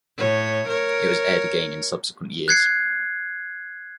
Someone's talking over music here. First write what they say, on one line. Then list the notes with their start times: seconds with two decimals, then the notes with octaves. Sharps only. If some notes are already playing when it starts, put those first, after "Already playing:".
It was aired again in subsequent years.
0.17 A2 C#5
0.67 A#4 C#5
2.48 F#6 G#6 C7 C#7